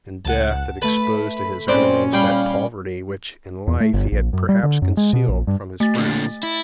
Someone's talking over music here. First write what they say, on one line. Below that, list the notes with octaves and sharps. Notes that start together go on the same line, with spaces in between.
In death it exposed to his enemies that poverty which in life he had perhaps concealed from his friends.
C#2 F#5 A5
A3 B4 A5 B5
A#2 C4 C#4 D5
G3 F5 G5 B5
E2
A3
G1
A#1
F#2
G3
D3
F#2
G#3
B2
A#1
G2
A3 A6
A#2 D3
E4